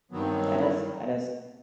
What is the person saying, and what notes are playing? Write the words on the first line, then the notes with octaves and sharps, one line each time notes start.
That is that is
G2 D#3 F#3 B3
C4
B3
C4
B3
E4